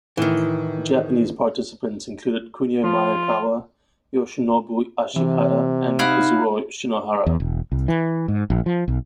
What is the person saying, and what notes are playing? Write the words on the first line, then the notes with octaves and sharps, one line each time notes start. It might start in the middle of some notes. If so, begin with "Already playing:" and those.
Japanese participants included Kunio Maekawa, Yoshinobu Ashihara and Kazuo Shinohara.
A2 D#3 E3
F3 F4
C3 E3
D#4 E4 F#4 F5
E2
E1
C2
E3
G#2
A#1
F3
B1